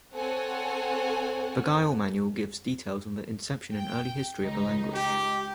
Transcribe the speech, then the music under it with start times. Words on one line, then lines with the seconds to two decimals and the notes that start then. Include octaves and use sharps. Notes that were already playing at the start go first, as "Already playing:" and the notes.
The Guile manual gives details of the inception and early history of the language.
0.14 C4 A4 C#5 F#5 G#5
3.72 G5
4.40 C#2 D#4
4.92 G4